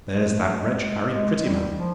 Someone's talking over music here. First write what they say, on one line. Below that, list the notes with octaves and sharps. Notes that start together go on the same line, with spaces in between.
There's that wretch Harry Prettyman.
G#3
A3
G#3
G#3
G#3
G3
F3